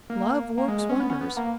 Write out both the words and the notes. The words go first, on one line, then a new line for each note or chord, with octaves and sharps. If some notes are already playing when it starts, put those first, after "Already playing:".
Love works wonders.
A#3
A#3
G#3
G#3
C#4
B3
C#4
B3
A#3